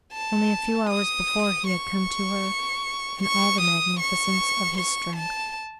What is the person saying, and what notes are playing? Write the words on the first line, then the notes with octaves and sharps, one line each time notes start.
Only a few hours before he had come to her in all the magnificence of his strength.
A5
D#6
C#6
C#6
D#6
C#6
C#6
A5